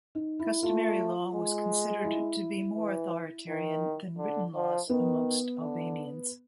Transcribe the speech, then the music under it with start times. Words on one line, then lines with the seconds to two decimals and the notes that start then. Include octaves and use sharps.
Customary law was considered to be more authoritarian than written laws amongst Albanians.
0.15 D#4
0.39 E4
0.63 A3 F4
1.34 G#3
2.04 E4
2.76 E3
3.48 D#3
4.18 D3
4.54 F3
4.89 D#3 B3
5.60 D3